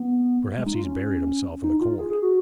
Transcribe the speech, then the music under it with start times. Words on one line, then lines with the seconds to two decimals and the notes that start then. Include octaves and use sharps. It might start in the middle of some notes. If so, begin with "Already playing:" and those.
'Perhaps he's buried himself in the corn.'
Already playing: B3
0.58 G#3
0.66 D#4
0.75 F4
0.84 C#4
1.63 D#4
1.81 F4
1.99 G#4
2.10 G#4
2.22 F#4